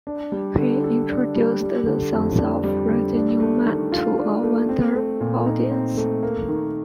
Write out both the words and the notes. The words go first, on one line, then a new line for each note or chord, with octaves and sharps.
He introduced the songs of Randy Newman to a wider audience.
D4
G3
D3
A4
D4
G3
G3
D3
F2
D4
G3
D3
D4
A3
D#3
F4
D4
A3
C4
A3
A#2
D#4
C4
A3
A#3
D#3